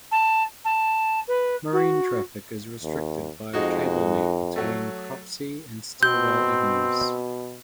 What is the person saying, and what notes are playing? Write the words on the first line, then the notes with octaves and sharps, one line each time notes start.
Marine traffic is restricted by a cable net between Cropsey and Stillwell Avenues.
A5
A5
B4
F#4
D#2
F2 G#3 D#4 F#4
F#3 A3
B2 C4 G6